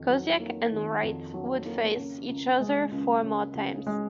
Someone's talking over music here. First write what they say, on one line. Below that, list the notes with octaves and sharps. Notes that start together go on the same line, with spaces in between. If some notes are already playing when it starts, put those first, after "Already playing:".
Koziak and Wright would face each other four more times.
Already playing: F2 D#3
F#3
A#3
D#3
F2
F#3
A#3
C#3
C#2
G#3
C#2
C#3
C#2
G#3